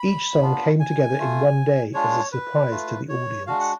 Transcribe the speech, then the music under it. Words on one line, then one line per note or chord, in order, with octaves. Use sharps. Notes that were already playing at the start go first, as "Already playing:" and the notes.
Each song came together in one day as a surprise to the audience.
Already playing: B5
B3 D4 F4
G#5
A3 F4
G#3 D4 F4 C#5
B4
A3 F4
C#5
G#3 D4 F#4 F5
F#5